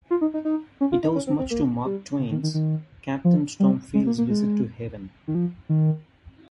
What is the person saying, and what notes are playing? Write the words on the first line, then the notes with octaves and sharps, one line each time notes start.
It owes much to Mark Twain's "Captain Stormfield's Visit to Heaven".
F4
D#4
D#4
D#4
C#4
F4
D#4
C#4
C4
C4
A#3
G3
C#3
D#3
D#3
D#3
F3
G3
G#3
A#3
A#3
G#3
D#3
F3
D#3